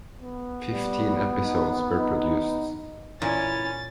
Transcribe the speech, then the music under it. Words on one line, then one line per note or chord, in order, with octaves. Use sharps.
Fifteen episodes were produced.
B3
G3
D#4
D#4
A#2 E3 C#4 E4 A6